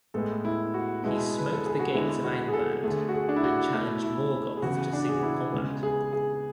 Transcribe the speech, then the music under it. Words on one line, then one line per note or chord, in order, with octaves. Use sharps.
He smote the gates of Angband and challenged Morgoth to single combat.
A2 G#3 B3 A4
E4
F#4
B2 G#3 B3 E4
B4
A4
G#4
F#4
D3 G#3 B3 E4
F#4
G#4
A4
D3 A3 G#4
F#4
G#4
D4
E4
F#4
B2 A3 E4
E4
G#4
C#3 E3 B3 F#4
D4
G#4
F#4
E4
C#3 G#3 B3 G#4
G#4
G#4